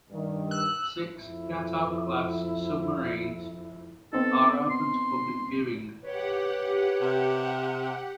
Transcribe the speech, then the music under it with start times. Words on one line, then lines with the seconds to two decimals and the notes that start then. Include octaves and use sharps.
Six "Gato"-class submarines are open to public viewing.
0.10 G2 D#3
0.51 E6 F#6
1.19 F2 E4
4.13 B3 C4 D#4 A4
4.70 C6
6.03 G4 B4 C#5 F#5
7.01 C3